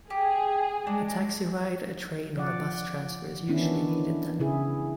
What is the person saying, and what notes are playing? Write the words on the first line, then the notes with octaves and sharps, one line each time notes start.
A taxi ride a train or a bus transfer is usually needed then.
G4 G#4
G#3 D4
F3 D5 F#5
D#3 E3 B3 C#4 D4 E4
C#3 E4 G#4